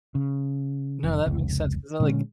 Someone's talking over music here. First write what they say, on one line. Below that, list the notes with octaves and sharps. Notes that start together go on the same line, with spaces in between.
No, that makes sense, 'cause I like
C#3
F1
F1 C#2
A#2 D3 G#3 C#4